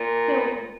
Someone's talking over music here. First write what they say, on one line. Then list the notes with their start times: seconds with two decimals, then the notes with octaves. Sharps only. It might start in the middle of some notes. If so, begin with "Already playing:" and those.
So, w
Already playing: A#2